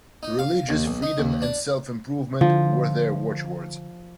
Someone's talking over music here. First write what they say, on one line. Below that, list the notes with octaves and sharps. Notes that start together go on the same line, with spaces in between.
Religious freedom and self-improvement were their watchwords.
D#4
F5
D#2
B1
D#4
D#2
D4
D3 F3